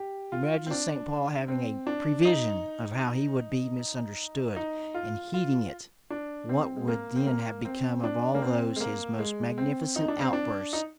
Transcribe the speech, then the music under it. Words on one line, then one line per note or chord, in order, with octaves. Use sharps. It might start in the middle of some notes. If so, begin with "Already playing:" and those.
Imagine St. Paul having a prevision of how he would be misunderstood, AND HEEDING IT!--what would then have become of all those his most magnificent outbursts?
Already playing: G4
F4
C4
D4
C4
D4
D#4
D#4
F4
F4
D4
C4
G#3
A#3
C4
A#3
C4
D4
A#3
C4
G#3
A#3
G#3
C4
D#4
D4
C4
D4
D#4